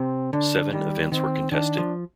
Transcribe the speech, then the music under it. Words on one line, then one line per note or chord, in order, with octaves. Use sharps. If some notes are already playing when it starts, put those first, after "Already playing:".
Seven events were contested.
Already playing: C3 C4
D3 D4
D#3 G3
D#3 C4
D#3 D4
F3